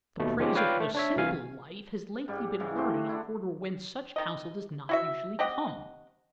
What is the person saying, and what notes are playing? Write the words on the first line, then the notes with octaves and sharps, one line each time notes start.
The praise of "the simple life" has lately been heard in a quarter whence such counsel does not usually come.
D#2 B2 A3
D#3 F3 G#3 C#4 G4
F4 B4 C#5 D5 F5 G5
A3
D4 C#5 E5
C2 C3 E3 F5 G#5
G#2 G3 D5
G#2 C#3 E3
A3 F#4 G4 C5
D4 E4 F#5
D#3 D#5
E4 F#4 E5
C4 G4 D#5 F#5